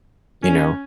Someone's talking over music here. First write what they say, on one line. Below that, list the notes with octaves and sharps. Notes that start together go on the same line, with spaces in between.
you know,
C#4